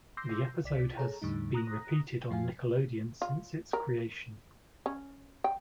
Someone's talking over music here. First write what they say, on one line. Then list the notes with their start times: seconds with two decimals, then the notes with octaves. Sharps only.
The episode has been repeated on Nickelodeon since its creation.
0.17 C6 D6 E6 G6 A#6 C7
0.64 C2 D5 B6
0.97 G#4 A4 C#5 A5 A#5
1.22 E2 A2 D3 G3 D#4
1.54 A#5 D#6 F#6 A#6
2.30 F2 F3 F4 F#4 F5 G#5
3.22 F4
3.73 A#4
4.86 C#4
5.44 G5